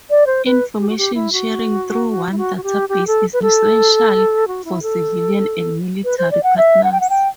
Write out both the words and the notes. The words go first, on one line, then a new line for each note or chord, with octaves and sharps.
Information sharing through one database is essential for civilian and military partners.
D5
C5
B4
G4
F#4
G4
E4
F#4
E4
F#4
F#4
G4
G4
A4
B4
A4
F#4
E4
A4
B4
C5
D5
F#5
E5
F#5
G5
F#5
G5